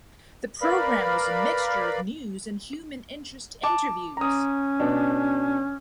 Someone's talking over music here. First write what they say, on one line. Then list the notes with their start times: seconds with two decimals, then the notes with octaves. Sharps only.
The program was a mixture of news and human interest interviews.
0.62 A#4 B4 D5 F5 B5
3.63 A5 D6
4.17 C#4 A#5 D#6
4.80 B2 D4